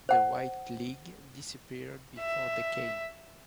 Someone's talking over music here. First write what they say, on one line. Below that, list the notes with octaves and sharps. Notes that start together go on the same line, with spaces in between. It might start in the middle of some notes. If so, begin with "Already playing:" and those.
The White League disappeared before they came.
C5 F#5
E5